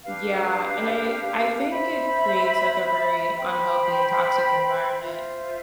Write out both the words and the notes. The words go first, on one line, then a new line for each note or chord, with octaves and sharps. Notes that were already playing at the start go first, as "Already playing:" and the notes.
yeah, and I I think it creates, like, a very unhealthy and toxic environment,
D4 G4 B4 F5
C5 E5 B5
C5 G5 B5
F4 C5 E5